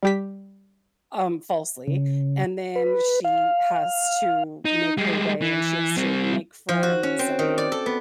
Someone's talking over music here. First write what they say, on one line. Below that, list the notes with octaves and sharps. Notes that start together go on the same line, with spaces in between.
um, falsely and then she has to make her way and she has to make friends and,
G3 G4 B6
C#3
B4
F5
D#4
G3 G#3
E3
G3 C4
F3
F#4
C#4
C4
D#3
D5
A4
B3